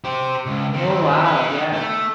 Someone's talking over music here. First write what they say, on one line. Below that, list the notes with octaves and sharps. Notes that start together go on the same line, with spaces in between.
Oh, wow, yeah.
G4 C5
C#2
D#3 C4
D#4 B4
A3